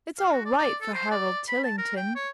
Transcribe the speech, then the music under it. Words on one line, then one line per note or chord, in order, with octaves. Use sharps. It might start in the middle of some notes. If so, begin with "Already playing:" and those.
It's all right for Harold Tillington.
F5
F#4
D5
D5
A4
C5
D5
B5
A5
A#4
G5
C#5